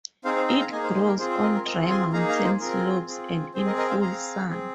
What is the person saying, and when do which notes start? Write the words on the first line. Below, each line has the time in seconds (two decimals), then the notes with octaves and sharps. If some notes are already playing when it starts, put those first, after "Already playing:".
It grows on dry mountain slopes and in full sun.
0.25 C4 D#4 G#4 C5 F5
0.36 C5 F5
0.48 F5 A#5
0.60 F5 A#5
0.72 A#3 D#4 G#4 D#5 G#5
0.83 C5 F5
0.95 C5
1.07 A#4
1.19 C4 F4 G#4 C5
1.31 C5
1.42 A#4 D#5
1.54 A#4
1.66 C4 F4 G#4 A#4 D#5
1.89 G#5 C6
2.13 A#3 D#4 G#4 F5 A#5
2.28 F5 A#5
2.44 C5
2.60 C4 F4 G#4 A#4
3.07 C4 F4 G#4
3.54 C4 G#4 C5
3.67 A#4 D#5
3.78 A#4 D#5
3.90 C5 F5
4.01 C4 G#4 F5 A#5
4.49 C4 G#4